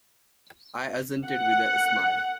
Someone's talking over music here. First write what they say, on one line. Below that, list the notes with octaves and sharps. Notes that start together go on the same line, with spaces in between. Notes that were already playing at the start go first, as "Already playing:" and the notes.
I assented with a smile.
F#5